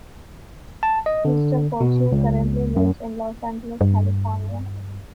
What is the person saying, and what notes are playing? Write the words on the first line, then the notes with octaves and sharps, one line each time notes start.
Mr. Pacheco currently lives in Los Angeles, California.
A5
D#5
D3
B2
C#2
F#2
G2